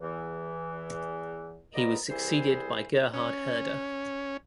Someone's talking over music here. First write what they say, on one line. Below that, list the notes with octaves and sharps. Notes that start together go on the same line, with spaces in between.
He was succeeded by Gerhard Herder.
E2 E3
A#3 B3 A#4 C5 D5 D#5
C2 E3 G#4 C5
C#4